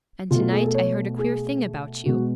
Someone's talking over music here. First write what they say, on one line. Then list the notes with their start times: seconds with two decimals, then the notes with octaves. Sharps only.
'And to-night I heard a queer thing about you.'
0.31 B2 A3 F4
0.41 F4
0.52 G#4
0.64 A4
0.74 C#5
1.18 G#4
2.06 B2 G#3 B3 F#4